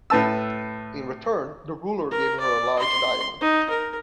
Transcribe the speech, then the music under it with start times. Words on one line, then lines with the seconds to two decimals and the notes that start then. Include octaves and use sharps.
In return, the ruler gave her a large diamond.
0.10 A2 B4 A5 E6
2.11 A#4
2.40 D5
2.79 C6
3.41 D#4
3.70 A#4